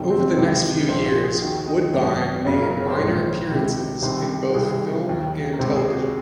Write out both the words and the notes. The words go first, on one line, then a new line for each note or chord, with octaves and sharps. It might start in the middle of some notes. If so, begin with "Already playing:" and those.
Over the next few years, Woodbine made minor appearances in both film and television.
Already playing: F#1 F2 C3 D#3
C4
C#2 C3 D#3
A#1 A#2 C5
C5
G#4
D#2 D#3 F#4
D#4
G#1 F#2 D#3
F#1 F#2 C#3 C#4
A#4
C#5
C5
A#1 G#2 D#3 C#5
C5
C#2 C3 D#3
C2 C3 D#3 C5
F#4
C2 C3 D#3 G#4
D#2 D#3
A#4
C#2 C3 D#3 C5
G#4
F#4